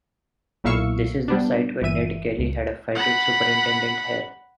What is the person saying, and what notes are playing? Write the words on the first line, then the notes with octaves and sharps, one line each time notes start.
This is the site where Ned Kelly had a fight with Superintendent Hare.
B1 A#2 E4 F5 C#6 E6
G3 B3 D4
G1 E3 E5 D#7
C#2
F#5 B5